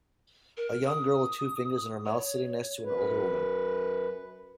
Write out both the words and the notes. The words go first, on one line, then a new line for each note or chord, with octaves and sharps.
A young girl with two fingers in her mouth sitting next to an older woman.
A#4
D#6
C#5
F#2 B4